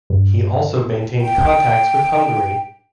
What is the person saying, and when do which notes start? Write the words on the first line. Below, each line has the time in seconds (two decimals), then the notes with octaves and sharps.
He also maintained contacts with Hungary.
0.10 G2
1.21 G5